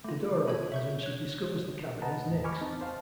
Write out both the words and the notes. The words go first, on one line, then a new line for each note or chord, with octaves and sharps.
The door opens and she discovers the cabin is Nick's.
A3 F4
F4 A4 C#5
E5 C#6 G6
C#5 F#6
B4 D#5 F#5 A5 A#5
E2 A2
G#5 B5 C#6 D6 F6
C4 D#4 A5
C5 F5 A5